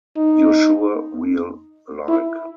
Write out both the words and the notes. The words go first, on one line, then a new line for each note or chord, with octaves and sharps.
You’re sure we’ll like.
D#4
E4